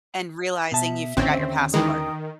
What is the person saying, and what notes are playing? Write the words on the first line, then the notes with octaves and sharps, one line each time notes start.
and realizing you forgot your passport."
B2 E5 A5
A1 D#2 D3 C4 C#4
D#3 E3 G#3 G5 A#5 D#6